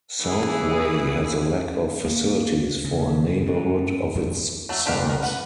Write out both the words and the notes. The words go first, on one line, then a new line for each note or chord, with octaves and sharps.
Southway has a lack of facilities for a neighbourhood of its size.
E3 G#4
A#3
C#3
G2
F2
F#3 A3
D4 G4 F5 F#5
A#4
B4 F#5